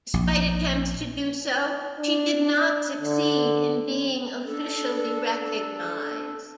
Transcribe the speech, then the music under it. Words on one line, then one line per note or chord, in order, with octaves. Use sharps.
Despite attempts to do so, she did not succeed in being officially recognized.
A#1
D4
D3
D4 A4